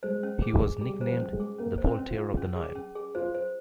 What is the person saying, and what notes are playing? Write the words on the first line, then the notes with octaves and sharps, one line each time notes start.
He was nicknamed "The Voltaire of the Nile".
G#3 C5
C#4
G#4
G#4
G3 G#4
G3 C5
F3
C#4
G#3
G#4
A#3 C#4
C5
C4
C#4
F4
G#4
C#4
G#4
C#4
G#4
F4 C5
C5